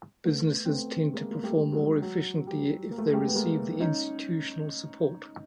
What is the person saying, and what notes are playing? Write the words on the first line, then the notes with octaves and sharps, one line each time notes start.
Businesses tend to perform more efficiently if they receive the institutional support.
A3 B3
C4
A3 B3
G#3 A#3
A#3
G3 A3
F#3 G#3
F#3
G3
A#3
A3
G#3
G3 A3
B3
G#3 A#3
C#4 D#4